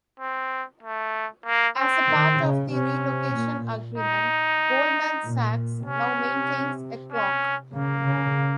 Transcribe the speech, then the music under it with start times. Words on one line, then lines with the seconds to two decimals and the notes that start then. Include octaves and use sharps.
As a part of the relocation agreement Goldman Sachs now maintains the clock.
0.20 C4
0.83 A3
1.46 A#3
1.77 C4
2.09 D#3
2.40 C#3
2.71 C3 C#4
3.34 A#2
3.98 D#4
5.23 A#2
5.85 C3 C#4
7.12 C#4
7.74 C#3 A#3
8.05 C#3